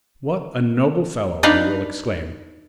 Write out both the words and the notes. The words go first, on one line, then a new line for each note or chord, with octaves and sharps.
"What a noble fellow!" you will exclaim.
D4 D#4 B4 F5